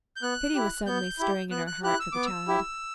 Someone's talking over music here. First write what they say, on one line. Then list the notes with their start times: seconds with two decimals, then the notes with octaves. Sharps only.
Pity was suddenly stirring in her heart for the child.
0.16 G6
0.23 B3 F#6
0.55 E4 G4
0.86 B3 G6
1.19 E4 G4
1.51 B3 F#6
1.67 F#6
1.83 E4 G4 F#6
2.00 E6
2.12 B3 D6
2.26 E6
2.48 E4 G4